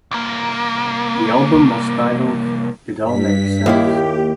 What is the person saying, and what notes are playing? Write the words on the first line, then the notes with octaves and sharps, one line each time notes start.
The album was titled "It All Makes Sense".
C2 A#3
G2 B6
D#2 A#3 E4 G4